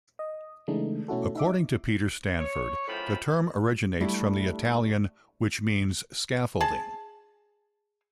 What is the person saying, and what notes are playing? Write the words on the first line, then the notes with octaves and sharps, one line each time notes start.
According to Peter Stanford the term originates from the Italian ', which means scaffolding.
D#5
C#3 E3 G#3 A3 D4 D#4
B2 A3 C#4 E4 F#4 A4
D#4 E5 D6
C#5
F#2 A2 F4 C5 G5 B5
G3 A3 D4 E4 G4 A4
G#4 A5